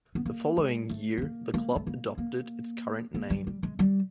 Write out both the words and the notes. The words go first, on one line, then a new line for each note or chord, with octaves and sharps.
The following year the club adopted its current name.
B3
A#3
G#3
A3
B3
A#3
A#3
A3
A#3
A#3
A#3
G3
G3
G#3
G3